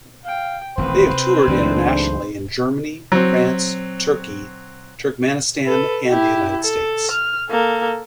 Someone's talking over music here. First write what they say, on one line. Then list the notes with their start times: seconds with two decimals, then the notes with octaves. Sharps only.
They have toured internationally in Germany, France, Turkey, Turkmenistan, and the United States.
0.25 F5 G5
0.78 D#1 A1 D#3 C4 B4 C5
1.13 C3
1.47 C#2 G#2 E3 F#3 A3 D4
3.12 F#3 C4
5.66 A4 B4
6.09 E4 G4
6.61 A4
7.11 F6
7.50 A#3 A4